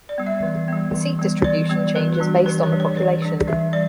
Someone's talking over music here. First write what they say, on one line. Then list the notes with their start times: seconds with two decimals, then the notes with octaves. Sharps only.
The seat distribution changes based on the population.
0.09 D5
0.18 G3 B3
0.27 E5
0.43 E3
0.68 G3 B3
0.94 E3
1.19 G3 B3
1.44 E3 D5
1.69 G3 B3
1.95 E3 B4
2.20 G3 D4
2.46 E3 B4
2.63 C#5
2.72 G3 D4
2.80 C#5
2.96 E3 D5
3.22 G3 D4
3.47 E3 E5
3.73 G3 D5